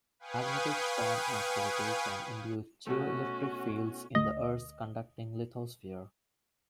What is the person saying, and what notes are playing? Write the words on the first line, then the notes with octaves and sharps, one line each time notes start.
Magnetic storm activity can induce geoelectric fields in the Earth's conducting lithosphere.
B4 F5 G5 G#5 C#6 D#6
B2 A3 C#4 F#4
D2 D#5